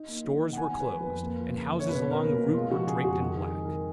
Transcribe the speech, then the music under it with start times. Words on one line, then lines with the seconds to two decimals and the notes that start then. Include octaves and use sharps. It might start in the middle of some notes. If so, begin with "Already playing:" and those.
Stores were closed, and houses along the route were draped in black.
Already playing: D#4
0.08 A#3
0.24 F#3
0.41 D#3
0.53 F#5
0.57 B3 G#5
0.74 G#3
0.80 B4
0.90 F3
1.01 B4
1.06 F2
1.23 A#3
1.40 F3
1.56 C#3
1.72 F#2
1.80 C#5
1.89 B2 B4
2.05 C#4
2.11 A#4
2.22 A#3
2.39 B2
2.54 G#3 F4
2.71 F3 F#4
2.87 C#3 G#4
3.03 F2 F#4
3.20 D#3 G#4
3.37 D#4
3.42 G#4
3.53 G#3
3.64 D#3 A#4